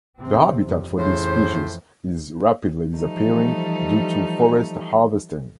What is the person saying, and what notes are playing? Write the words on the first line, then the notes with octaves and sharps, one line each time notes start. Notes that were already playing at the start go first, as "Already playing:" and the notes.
The habitat for this species is rapidly disappearing due to forest harvesting.
E2 C3 C4
F2 G3
F2 A2 C#3 E3 C5
E3 F3 G3 A3 D#4